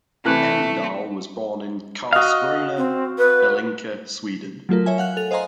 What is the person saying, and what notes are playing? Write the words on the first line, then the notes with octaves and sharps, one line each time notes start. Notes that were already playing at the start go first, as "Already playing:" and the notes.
Engdahl was born in Karlskrona, Blekinge, Sweden.
C3 E3 A3 F#6
F#4 D#5 F5
C4
B4
F#3 A3 F4 A#4
C#5 E5 G#5
F5 F#5 F#6
A4 F7
C5 D#5 F5 G#5 A#5 C6